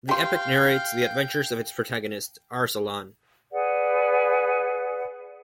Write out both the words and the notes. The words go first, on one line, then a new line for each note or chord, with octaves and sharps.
The epic narrates the adventures of its protagonist, Arsalan.
G4 F5 G5 C6
G#4 B4 D5 F#5